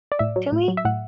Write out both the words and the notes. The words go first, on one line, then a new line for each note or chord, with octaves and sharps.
to me
D5
A2 E5
F#3
A2
F#3
E5
A2 F#5